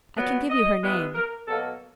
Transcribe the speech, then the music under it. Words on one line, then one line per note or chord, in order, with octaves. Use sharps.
I can give you her name.'
A#2 F#3 B3
D#5
G2 E3 G#3 B3
A#4
B2 F#3 A#3 A4